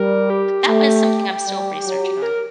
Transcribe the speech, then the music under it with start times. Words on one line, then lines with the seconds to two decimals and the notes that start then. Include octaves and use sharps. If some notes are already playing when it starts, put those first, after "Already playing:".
that was something I'm still researching on.
Already playing: G3 A#4
0.30 G4
0.68 A3
1.46 G3
1.84 F#3
2.22 A#4